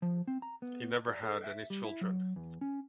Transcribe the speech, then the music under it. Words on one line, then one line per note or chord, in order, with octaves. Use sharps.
He never had any children.
F3
C4
A#5
B3
D5
A4
E5
G3
E4
F#3
E2
C#4